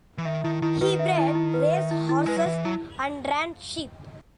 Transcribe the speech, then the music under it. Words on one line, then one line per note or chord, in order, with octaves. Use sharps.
He bred racehorses and ran sheep.
E3
D#3 E5
D#3 E4
D#3 E4
D#3 B4
E5
E4
E4
B4
E5
E4
E4
G#3 B4
F#3
E3 E5
F#3 E4